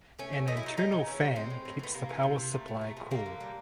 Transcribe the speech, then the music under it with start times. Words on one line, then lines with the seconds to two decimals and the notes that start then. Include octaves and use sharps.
An internal fan keeps the power supply cool.
0.19 A3 C#4
0.33 A3
0.48 A3 D#4
0.57 E4
0.63 F#3 D#4
0.77 C#3 D#4
0.92 C#3
1.07 E3 C#4
1.21 G3
1.35 G#3 C4
1.50 A2
1.65 A2
1.79 A2 B3
1.94 C3 A#3
2.09 E3
2.23 C3
2.38 C3
2.53 A3
2.68 A#2
2.81 A3
2.97 A#2
3.11 G3 A#3
3.26 D3
3.40 G3